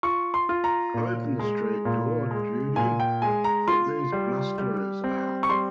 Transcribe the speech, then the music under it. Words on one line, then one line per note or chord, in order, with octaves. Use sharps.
Open the street door, Judy; put these blusterers out!
F4 C#6
C6
F4
A#5
A#2
G#3
A#2
G#3
A#2 G#5
G5
G#3 G#5
A#5
F4 C6
G3
G3
C4
C#6
G3 C6